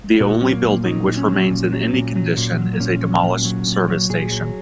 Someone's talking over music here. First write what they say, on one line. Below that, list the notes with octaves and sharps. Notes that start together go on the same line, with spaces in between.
The only building which remains in any condition is a demolished service station.
A#2 F#4
F#3 C#4
A#3
A#2
F#3 D#4
A#2
C#4
F#3
A#2
F#3
A#2
F#3
A#2
F#3
A#3
A#2 C#4
F#3
A#2
F#3
A#2
F#3
A#2 G#4
F#3